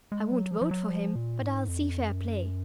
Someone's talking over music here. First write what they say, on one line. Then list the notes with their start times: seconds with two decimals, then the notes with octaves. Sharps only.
I won't vote for him; but I'll see fair play.
0.12 G#3
0.32 F#3
0.51 F3
0.61 F3
0.71 F#3
0.90 F3
1.15 A#2
1.42 G#2
1.68 F2
2.06 F#2